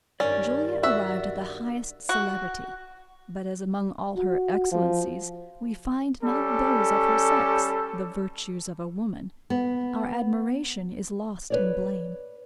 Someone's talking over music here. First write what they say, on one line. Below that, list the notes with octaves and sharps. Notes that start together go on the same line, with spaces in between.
Julia arrived at the highest celebrity; but as among all her excellencies, we find not those of her sex, the virtues of a woman, our admiration is lost in blame.
G2 D#3 G3 C#4 D5
F#4 E5
F#4
F#4
F3
G3 C#4 A4
B3
B4 C#5 D5